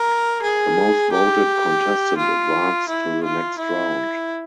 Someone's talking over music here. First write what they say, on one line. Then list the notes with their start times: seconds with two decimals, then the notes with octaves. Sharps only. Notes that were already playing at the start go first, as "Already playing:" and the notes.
The most voted contestant advanced to the next round.
Already playing: A#4
0.42 G#4
1.12 G4
2.18 F4
2.89 E4
3.23 F4
3.58 E4